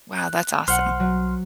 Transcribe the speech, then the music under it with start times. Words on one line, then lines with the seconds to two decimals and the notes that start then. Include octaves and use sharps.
Wow, that's awesome.
0.17 F#6
0.68 B1 C5 F#5 C6 F6
1.00 F#3